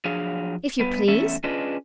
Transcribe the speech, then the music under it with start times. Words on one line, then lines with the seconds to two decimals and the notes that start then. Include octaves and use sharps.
"If you please."
0.05 F3 F#3 D4 G#4 F5
0.80 G2 B3 B4
1.08 E2 A3 C#4 E5
1.44 C#4 D4 F4 G#4 B4 D#5